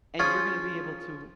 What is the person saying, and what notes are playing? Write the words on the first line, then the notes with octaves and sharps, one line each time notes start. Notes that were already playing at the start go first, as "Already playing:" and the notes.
and you're gonna be able to
F3 C#4 F4 G#4